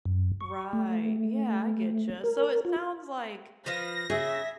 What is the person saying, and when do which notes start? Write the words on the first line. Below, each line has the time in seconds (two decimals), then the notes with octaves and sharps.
Right, yeah, I get ya, so it sounds like
0.05 F#2
0.41 C#6
0.73 A3
2.24 A#4
2.65 F4
3.66 F3 B4 F5 A#6
4.10 C#3 G#4 E5